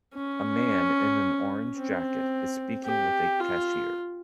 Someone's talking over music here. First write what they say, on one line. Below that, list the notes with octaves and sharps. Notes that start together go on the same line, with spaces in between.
A man in an orange jacket is speaking with a cashier.
C#4
C4
G4
F4